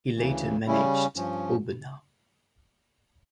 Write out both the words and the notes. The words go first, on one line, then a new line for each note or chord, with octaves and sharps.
He later managed Aubenas.
D2 C#3 E3
C#3 G3 C#4 E4
G2 F3 C#4